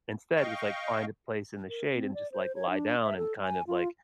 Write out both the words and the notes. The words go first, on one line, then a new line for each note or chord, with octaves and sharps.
instead was, like, find a place in the shade and just, like, lie down and kind of, like,
D#5 F5 G5 C#6
A#4
C4
D5
C5
C#5
D4
E5
A4
G#5
F4